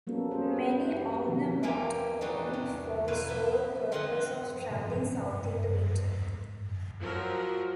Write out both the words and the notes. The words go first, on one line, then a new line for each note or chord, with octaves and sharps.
Many own a motorhome for the sole purpose of traveling south in the winter.
G3 A#3 B3 C#4 F#4 A4
C#4 F#4 G#4 C5
B4
G4
B2 D#3 F3 G3 A#3 F#4
E3 F3 A#3 E4 G4
E3 F#3 G3 A3 D4 D#4
C3
B2 F#3 A#3 E4 F4 B4
F3 B3 E5
D3 C4 F4 D#5 F#5 C6
G#2 C3 F#3 G3
F3 F#3 A#4